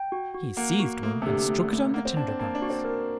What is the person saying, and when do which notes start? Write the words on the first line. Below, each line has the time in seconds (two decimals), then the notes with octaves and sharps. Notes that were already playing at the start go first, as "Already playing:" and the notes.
He seized one and struck it on the tinder-box.
Already playing: G5
0.12 F#4
0.34 F#4
0.57 A#3 F#5
0.80 F#4
1.03 A3 A#3
1.22 C3
1.26 D3 G4
1.48 A3
1.64 D3
1.71 A3
1.94 A#3 F#5
2.05 C4
2.17 D4 A5
2.28 C4
2.39 A#3 A5
2.55 D4
2.62 F#4
2.70 C4
2.85 A#4